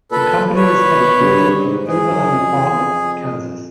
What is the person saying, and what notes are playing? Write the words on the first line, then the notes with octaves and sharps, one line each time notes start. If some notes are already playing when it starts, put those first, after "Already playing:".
The company is headquartered in Overland Park, Kansas.
A#2 A4 B4
B4 C#5
B2
G2
F#2
G2
G#2
G#2 G#4
F#2
F2
E2
F2